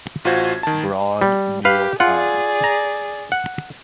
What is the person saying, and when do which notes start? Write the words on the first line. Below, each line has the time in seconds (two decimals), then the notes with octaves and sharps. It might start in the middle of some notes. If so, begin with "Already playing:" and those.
Broad, New York Times.
0.25 A1 F4 F#4 C5 G#6
0.63 D#3 A5
1.21 G3
1.65 G4 B4 F5
2.00 F4 G#4 D5 F#5
2.64 A#5
3.32 F#5